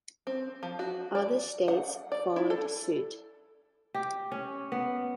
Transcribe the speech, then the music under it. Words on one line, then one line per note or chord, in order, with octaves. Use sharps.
Other states followed suit.
C4
F3
F#4
D5
F#5
D5
E4
A4
G4
C#4
B3